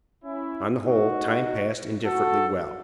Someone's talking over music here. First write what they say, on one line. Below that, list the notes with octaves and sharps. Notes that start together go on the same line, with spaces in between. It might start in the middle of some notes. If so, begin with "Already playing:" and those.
On the whole, time passed indifferently well.
C#4 E4
D#4 F#4
F#4 A4